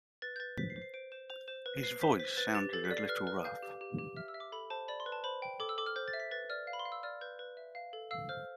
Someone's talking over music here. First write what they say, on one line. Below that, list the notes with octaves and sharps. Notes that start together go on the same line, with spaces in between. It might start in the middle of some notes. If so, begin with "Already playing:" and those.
His voice sounded a little rough.
B4 A6
G6
B4 A6
C5 B6
C7
C5
C7
C5 D7
C5 E7
C5 F7
C5 E7
B4
B4 C7
C5 B6
C5 B6
B4 A6
G4 A6
A4 A6
B6
D5
C7
B4 F6
B4 F6
F5 G6
G4
G4
G4
E5 F6
E6
E5
D6
A4 B5
C5 A5
D5 B5
C6
B4
A5
C5 B5
G5
A4 D6
E6
A4 D6
F6
C5 G6
A6
E5
B6
B4 A6
D5 F6
F5
B5
C6
F5
E6
D5 F6
B4 G6
B4
E5
F5
A4
F5 E6
C5 F6